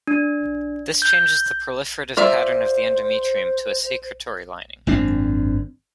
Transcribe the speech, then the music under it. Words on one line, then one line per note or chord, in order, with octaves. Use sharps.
This changes the proliferative pattern of the endometrium to a secretory lining.
D4
G6
F4 C5 D5 E5
G#1 F#2 C4 D4